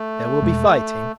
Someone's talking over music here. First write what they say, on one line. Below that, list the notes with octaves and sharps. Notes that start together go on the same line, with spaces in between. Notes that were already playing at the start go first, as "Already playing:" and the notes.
There will be fighting.
Already playing: A3
E2 B2 G#3